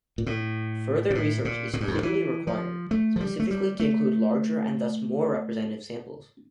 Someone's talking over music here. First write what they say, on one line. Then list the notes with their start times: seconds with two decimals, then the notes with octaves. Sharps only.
Further research is clearly required, specifically to include larger and thus more representative samples.
0.18 A#2
0.26 A2
1.10 A#2
1.15 A2
1.45 A#2
1.73 A2
1.81 G2
1.88 F2
1.94 G2
2.03 E3
2.47 F3
2.91 A3
3.16 F3
3.20 G3
3.40 A3
3.51 G3
3.80 A3